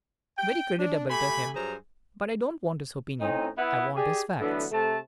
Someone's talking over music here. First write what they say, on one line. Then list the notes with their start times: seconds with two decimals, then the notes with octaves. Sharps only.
Very creditable to him, but I don't want his opinion--I want his facts.
0.38 G5
0.79 D4
1.09 A3 G4 G#5 B5
1.55 G2 F#3 G#4 C5 A#5
3.19 A2 C4 C#4 D#4
3.58 B3 E4
3.95 G4 G#4 D5
4.40 D3 E3 F#3 A3 B3
4.71 C3 A3 A5